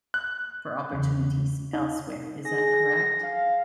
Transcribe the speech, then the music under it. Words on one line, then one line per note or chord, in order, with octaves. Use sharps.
for opportunities elsewhere. Is that correct?
F#6
E2 C#3
D#4
G#4 A#6
F5